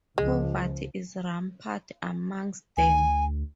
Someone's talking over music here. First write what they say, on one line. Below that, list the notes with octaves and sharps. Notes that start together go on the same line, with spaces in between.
Poverty is rampant amongst them.
C#2 F3 G#3
D2 G#5